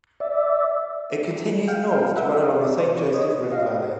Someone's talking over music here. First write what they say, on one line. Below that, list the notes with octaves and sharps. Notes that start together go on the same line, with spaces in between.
It continues north to run along the Saint Joseph River valley.
D5 E5
F5 G5
F5 G5
E5 F#5
E5
D#5 F5
D5 E5
C5 D5
B4 C#5
C#5 D#5
D#5 F5